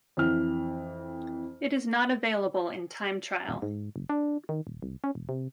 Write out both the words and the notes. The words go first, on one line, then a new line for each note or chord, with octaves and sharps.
It is not available in Time Trial.
F2 E3 F6
D#1
G#2
F#1
D4
D#3
D#1
C2
C#4
E1
C3